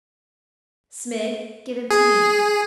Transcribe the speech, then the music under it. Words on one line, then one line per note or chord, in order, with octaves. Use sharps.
Smid, give him to me.
G#4